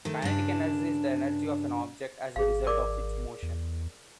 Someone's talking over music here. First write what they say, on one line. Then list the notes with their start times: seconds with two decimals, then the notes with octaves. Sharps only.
Kinetic energy is the energy of an object as a result of its motion.
0.05 D#3 A3
0.22 G2 C#3 D4
2.36 G#1 G#4 F5
2.67 A#4 D5 D6
3.42 E2